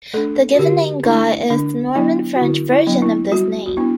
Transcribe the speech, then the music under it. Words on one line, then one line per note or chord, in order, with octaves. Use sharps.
The given name Guy is the Norman-French version of this name.
A3 D4 A4
F#4
D3 G4
A3 D4 E4
D3 D4
F#3 B3 D4 E4
F#4
D3 E4
E4
F#3 B3 D4
E4
G3 F#4
F#4
B3 D4 E4